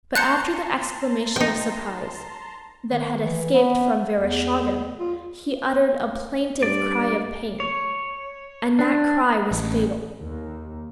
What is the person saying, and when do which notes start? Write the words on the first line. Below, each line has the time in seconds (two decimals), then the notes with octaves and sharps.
But after the exclamation of surprise that had escaped from Vereshchagin he uttered a plaintive cry of pain, and that cry was fatal.
0.15 A5 A#5 C6 F#6 G6 C#7
1.36 D#4 G5
2.90 D#3
3.24 E3
3.54 B3
4.16 E2
4.99 F4
6.63 G2 D5
7.60 C#5
8.79 D4
9.51 A1
10.21 D#2